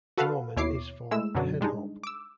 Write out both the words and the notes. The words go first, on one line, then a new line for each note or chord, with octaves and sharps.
Norman is for "Hen Hop".
F#4 A4 B4 F5 F#5
D#2 B2 E4 C#5 D6 C7
G#3 A3 E4 E6 E7
F#2 B2 D3 F#3
G3 G#3 D4 D#4
D6 E6